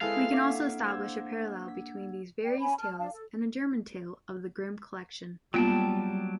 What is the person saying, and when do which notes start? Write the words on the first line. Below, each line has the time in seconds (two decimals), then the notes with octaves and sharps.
We can also establish a parallel between these various tales and a German tale of the Grim collection.
0.01 G#3 C4 E4 G#4 A4 B4 F5
0.32 A#3 D4 E5 F#5 D6 G#6
0.84 C5 E6 G#6
1.68 B6
2.44 D5 G5
2.60 C#4 G#5 B5
2.79 A5 F6
2.99 D4 F5 A5
3.12 A4
5.54 F#3 G3 A#3 B3 F4 G5 A5